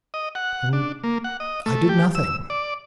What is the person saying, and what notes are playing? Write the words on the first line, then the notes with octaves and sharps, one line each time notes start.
And I did nothing.
D#5
F#5
D4
A#3
F#5
D#5
A3
G4
E6
D5